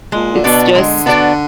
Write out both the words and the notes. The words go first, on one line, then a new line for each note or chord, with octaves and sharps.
it's just,
A#2 G#3
D3
B2 B3 D4 F#4 D5
D3 G#3
B3 D4 F#4 D5